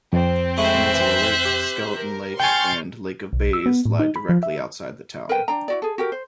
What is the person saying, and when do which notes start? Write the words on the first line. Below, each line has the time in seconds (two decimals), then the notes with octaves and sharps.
Peninsula Lake, Skeleton Lake, and Lake of Bays lie directly outside the town.
0.13 F2 C4
0.58 G#3 A3 E4 C5 E5 F#6
0.94 E3
1.45 G4
1.95 A#4
2.40 G5 G#5 C6 C#6 F6 G6 A6
3.33 B1
3.53 E6
3.66 B3
3.86 A2
4.00 D#4
4.16 B5
4.29 F3
4.43 E5
5.29 A#4 B4 G5
5.48 D4 G5 A#5
5.68 E4 F#4 D5
5.82 G#4 A4
5.98 F#4 G4 A#4
6.12 C5